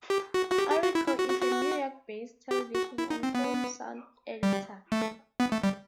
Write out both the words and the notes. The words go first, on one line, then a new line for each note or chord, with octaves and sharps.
Orrico is a New York based television and film sound editor.
G4
F#4
F#4
G4
G4
F#4
E4
E4
F#4
F#4
F#4
G4
F#4
E4
D#4
C4
B3
G3
A3
B3
A3
G3